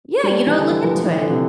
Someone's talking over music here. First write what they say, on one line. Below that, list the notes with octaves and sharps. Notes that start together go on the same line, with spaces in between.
Yeah, you know, look into it.
G3
E3
D3
E3
F3
F3
E3
D3
C3